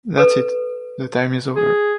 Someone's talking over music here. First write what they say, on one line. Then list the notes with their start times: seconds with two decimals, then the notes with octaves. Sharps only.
That’s it. The time is over.
0.18 A4 B4
1.56 G#4